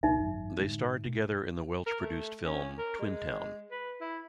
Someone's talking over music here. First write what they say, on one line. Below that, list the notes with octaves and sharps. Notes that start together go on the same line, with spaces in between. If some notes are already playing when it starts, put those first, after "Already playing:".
They starred together in the Welsh-produced film "Twin Town".
C#2 B2 D#4 E5
G#1 F#2
A2 D3 G#3
B2 A3
A#4
A3
C#4
A#4
G#3
B4
E4